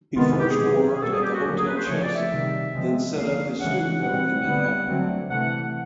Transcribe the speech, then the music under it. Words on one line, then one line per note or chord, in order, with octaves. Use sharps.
He first worked at the Hotel Chelsea then set up his studio in Manhattan.
C3 D#3 G#3 B3 F4
G4
G#4
B2 F#3 B3
G#4
B2 G3 A#3 C#4 A4
G#4
G4
F#4
D3 F#3 A#3 C#4
G#4
B4
C5
C#3 F3 A3 C#5
D5
E5
C3 D#3 G3
C#3 F3 G#3 C4
D3 F3 A#3 F5
C#3 E3 G#3 C#4 F#5
B2 G3 C4 F#5
D3 G3 B3
D3 F#3 A3 C4
C3 E3 A3 F#5